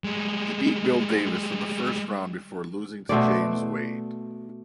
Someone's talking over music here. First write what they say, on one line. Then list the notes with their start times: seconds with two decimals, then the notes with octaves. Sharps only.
He beat Bill Davis in the first round before losing to James Wade.
0.04 G3 G#3
3.09 B2 A3 C5 D5